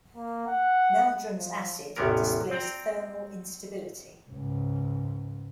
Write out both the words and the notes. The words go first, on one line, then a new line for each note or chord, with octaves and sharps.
Meldrum's acid displays thermal instability.
A#3
F#5
F3
A1 E2 C3 B3 C#4 A#4
C4 D5 G5 A#5
C#2 G#2